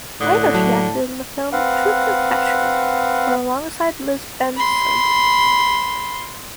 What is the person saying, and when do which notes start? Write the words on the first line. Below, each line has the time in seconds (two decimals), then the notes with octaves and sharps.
Later she acted in the film "True Confession" where alongside Liz Benson.
0.21 A2 D3 D#6 F#6
0.55 F#3 A5
1.53 C4 B4 F5 F#5
4.56 B5 C6